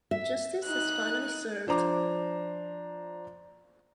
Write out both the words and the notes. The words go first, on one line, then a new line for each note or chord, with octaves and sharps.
Justice is finally served.
E5
D#4 F#6
F3 D4 C5 A#5 D6